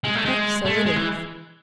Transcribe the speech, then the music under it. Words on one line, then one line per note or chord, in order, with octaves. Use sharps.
But so it is.
G#3
A3
G#3
A3
G#3
G#3
E3